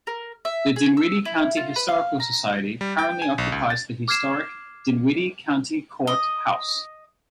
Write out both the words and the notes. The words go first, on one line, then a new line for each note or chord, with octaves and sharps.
The Dinwiddie County Historical Society currently occupies the historic Dinwiddie County Court House.
A#4
E5
G#4
E6
E4
F4
B4
F5
A#5
G3
G5
G#5
B1
C#2
A6
D6 F6 G#6 C7 E7
D#5